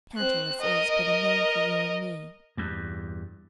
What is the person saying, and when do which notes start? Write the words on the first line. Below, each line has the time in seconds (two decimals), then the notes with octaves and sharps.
Tantalus is but a name for you and me.
0.17 C4 F#6
0.61 A#4 D#5
2.57 E2 G2